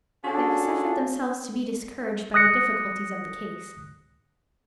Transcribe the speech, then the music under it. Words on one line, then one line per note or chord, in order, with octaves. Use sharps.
They have suffered themselves to be discouraged by the difficulties of the case.
C#4 D4 F4 F#4 G#4 A4
D#6 F#6 A#6 C#7